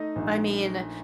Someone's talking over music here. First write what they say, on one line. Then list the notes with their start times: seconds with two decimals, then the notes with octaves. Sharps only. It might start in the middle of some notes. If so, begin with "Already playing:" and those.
I mean,
Already playing: A3 D#4 D#5
0.16 A#1